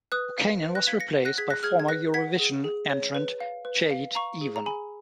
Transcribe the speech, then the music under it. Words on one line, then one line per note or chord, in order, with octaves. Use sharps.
Buchanan was replaced by former-Eurovision entrant Jade Ewen.
B4 D#6 F#6
F5
B4
F#6 A#6
F5 G#6 B6
A#6 C#7
F#5
F#6 A#6
G#4 G#6 B6
F#6 A#6
G#4 F6 G#6
G#6
B4 F#6 A#6
F#5 G#6 B6
G#4
G#4
C#5
B4
F5
B4
F5
F5 A#5 C#6
G#4
A#5
G#4 G#5 B5